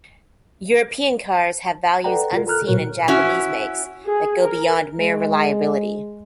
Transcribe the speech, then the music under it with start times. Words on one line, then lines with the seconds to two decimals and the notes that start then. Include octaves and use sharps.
European cars have values unseen in Japanese makes that go beyond mere reliability.
2.04 A4 B4 D5 F#5 G5 A#5
2.33 F4 A#4
2.47 A4 A#5 F6 F#6
2.67 A#2 F#3 F#4 A#4 C#5
3.08 C#4 E4 F#4
4.06 G#4
4.40 A#4
5.00 G#3